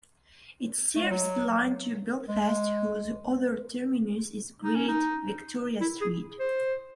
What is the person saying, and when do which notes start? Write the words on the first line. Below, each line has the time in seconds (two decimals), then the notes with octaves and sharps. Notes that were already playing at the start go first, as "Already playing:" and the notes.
It serves the line to Belfast, whose other terminus is Great Victoria Street.
0.96 A3
1.03 G#3
1.11 F#3
2.29 G#3
4.64 D#4
4.76 C#4
4.88 D#4
5.81 E4
6.01 G#4
6.39 C5